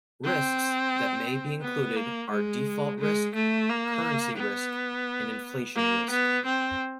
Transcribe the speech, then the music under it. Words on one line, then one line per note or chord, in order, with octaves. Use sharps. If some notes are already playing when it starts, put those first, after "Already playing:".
Risks that may be included are default risk, currency risk, and inflation risk.
C4
B3
A#3
G#3
G#3
A3
A#3
B3
A#3
B3
C4